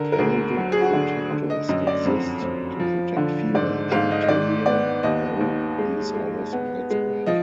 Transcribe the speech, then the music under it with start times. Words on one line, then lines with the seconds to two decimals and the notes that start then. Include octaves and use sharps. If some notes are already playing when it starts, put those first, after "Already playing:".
Pelvic protectors exist to protect female genitalia, though these are less widespread.
Already playing: D3 A#4
0.12 A#4
0.19 D2 G#4
0.57 F#3
0.72 G#4
0.82 F#4
0.93 D3
1.31 D3
1.50 D#5
1.68 F#2 D#5
1.87 D5
2.05 F2
2.42 F2
2.80 F3
3.17 D3
3.54 G#2 D5
3.91 G#2 F5
4.11 D#5
4.22 D#5
4.28 D#3 D5
4.66 B3 D5
5.03 D#2 D#5
5.41 D#2
5.78 G#3
6.15 G#3
6.53 B3
6.90 G#3
7.26 F3 D#5